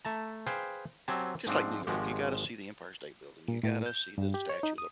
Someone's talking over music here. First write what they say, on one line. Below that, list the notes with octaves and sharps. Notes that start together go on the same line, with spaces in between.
just like New York, you gotta see the Empire State Building. You gotta see the Statue of
A3 A5 A#5
G#4 B4 C5 F5 G5 G#5
F#3 C4 G4 G#5 A5
G#2 F3 C4 D4
G#1 F3 G#3 F#4 G4
A#2
A2
G6
G2
G4
C#5
D#4
D#6